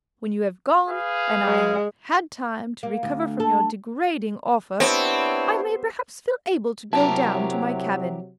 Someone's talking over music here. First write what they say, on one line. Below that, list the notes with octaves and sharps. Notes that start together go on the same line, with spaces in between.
When you have gone, and I have had time to recover from your degrading offer, I may perhaps feel able to go down to my cabin.'
G#4 B4 F5
G#3
A#3
D2
A4
B3 C4 D4 E4 G4 C#5
C3 F#3 E4 G4 A#4 A5